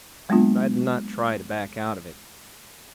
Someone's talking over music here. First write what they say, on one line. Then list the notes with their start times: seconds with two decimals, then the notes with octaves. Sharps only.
But I did not try to back out of it.
0.29 F#3 G#3 A#3 B3 D4 F4